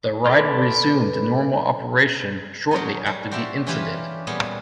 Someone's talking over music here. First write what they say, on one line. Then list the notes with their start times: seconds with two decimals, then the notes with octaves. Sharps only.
The ride resumed normal operation shortly after the incident.
0.26 A4 B4 D5 C6 F6
2.71 F#3 G#3 C#4 D#4
3.06 G3
3.31 F#4 G4 C5 D5 E5 F5
3.67 E3 C#4 D4 F4 G4 B4
4.27 A#2 G3 B3 G#4